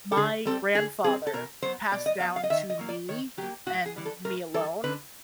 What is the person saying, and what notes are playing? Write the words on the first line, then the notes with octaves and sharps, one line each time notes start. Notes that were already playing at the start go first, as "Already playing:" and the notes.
my grandfather passed down to me, and me alone,
A4
D3 G#4
G3 C4 A4
D3 G#4
G3 C4 G#4
A4
B2 A#4
F#3 B3 C5
B2 D5
D#5
F#3 B3 F5
F5
D#5
D#3 E5
D#5
F#3 A#3
D5
D#3 C#5
F#3 A#3 G4
A2 F#4
G#4
E3 G3
A4
A2 A#4
E3 G3 A4
D3 B4